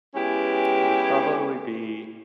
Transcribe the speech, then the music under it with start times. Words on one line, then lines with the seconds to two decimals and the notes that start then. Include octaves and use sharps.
It would probably be
0.15 G#3 B3 C#4 E4 G4